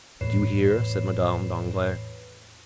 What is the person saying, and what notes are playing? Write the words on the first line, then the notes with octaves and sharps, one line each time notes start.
"Did you hear?" said Madame Danglars.
E2 A2 B4 C#5 C7 E7